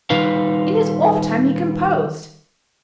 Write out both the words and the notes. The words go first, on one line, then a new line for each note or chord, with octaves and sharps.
'In his off time, he composed.
D#3 G3 D#4 B4 F5